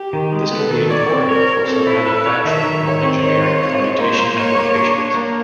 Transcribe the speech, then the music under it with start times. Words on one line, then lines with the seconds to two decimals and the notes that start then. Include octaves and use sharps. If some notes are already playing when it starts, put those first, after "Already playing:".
This can be important for some manufacturing or engineering computation applications.
Already playing: G4
0.13 D#3
0.32 G#3
0.51 B3 A4
0.71 D#3
0.90 C#5 D5
1.10 C4
1.29 A#4 C#5
1.48 C#5
1.68 C4 A4
1.87 E4
2.05 A4 B4
2.26 C#5
2.44 D#3 E5
2.64 D#3
2.83 D#3 C#5
3.02 C4
3.22 D#3 C#5
3.41 F4
3.60 C4
3.79 G#3
3.98 A#3 C5
4.18 A#3
4.37 F4 C#5
4.56 A#3
4.75 D4
4.95 D4
5.14 A#3